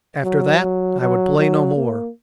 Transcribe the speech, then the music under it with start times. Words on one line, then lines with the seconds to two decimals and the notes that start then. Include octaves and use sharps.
After that I would play no more.
0.24 F#3
0.62 F#3
1.01 F#3
1.38 F#3
1.76 A#3